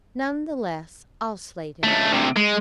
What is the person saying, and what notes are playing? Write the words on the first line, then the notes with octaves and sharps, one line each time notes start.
None the less I'll slate him.
C#2 A3
D2 C3
G#3